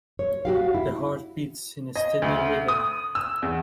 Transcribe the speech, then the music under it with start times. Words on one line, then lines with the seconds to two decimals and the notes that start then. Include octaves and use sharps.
The heart beats in a steady rhythm.
0.19 C#5
0.45 F#4 G4 F5
0.74 E4
1.96 D#5
2.22 D2
2.68 D#6
3.15 E6
3.42 E2